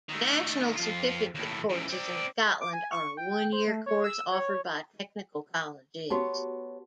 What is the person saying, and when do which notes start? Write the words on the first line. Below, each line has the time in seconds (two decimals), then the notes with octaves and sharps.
National Certificate courses in Scotland are a one-year course offered by Technical Colleges.
0.09 D#3 A3
0.76 F2 F4
1.35 D#2 A2
1.70 C#2 E3
1.90 C4 D5
2.61 D6
2.73 G#5
2.92 C#6
3.17 G5
3.53 C5
3.68 A3
3.86 C#5
4.04 E6
4.32 C#5
6.10 B3 F#4 G4 C#5 A5